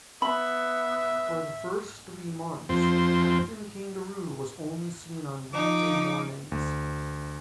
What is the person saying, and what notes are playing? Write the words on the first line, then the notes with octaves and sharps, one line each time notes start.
For the first three months, "Captain Kangaroo" was only seen on weekday mornings.
B3 E5 B5
F2 C4
F3 D#4 D6
D2